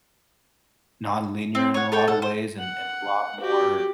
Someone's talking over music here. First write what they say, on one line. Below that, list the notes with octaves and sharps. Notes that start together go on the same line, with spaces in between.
nonlinear in a lot of ways, and and a lot more
C4
C#5 F#5
A4 C#5 G5
A4 F#5
C5
F#5
F#4 G4